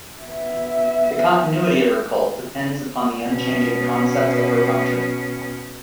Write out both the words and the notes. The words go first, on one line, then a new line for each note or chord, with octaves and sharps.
The continuity of her cult depends upon the unchanging concept of her function.
B3 E5
B2 C#4